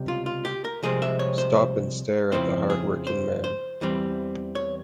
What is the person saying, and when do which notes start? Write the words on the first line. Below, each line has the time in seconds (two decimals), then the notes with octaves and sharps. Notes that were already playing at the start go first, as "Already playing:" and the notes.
Stop and stare at the hard working man.
Already playing: C#2 C3 G3
0.08 F4
0.26 F4
0.45 G4
0.65 A#4
0.83 C2 C3 F3 G#3 C4 G#4
1.02 E5
1.19 C#5
1.38 C5
2.32 F2 C#3 F3 C4 E4 C5
2.70 G#4
3.07 C5
3.44 C5
3.81 E2 E3 G3 C4
4.55 C#5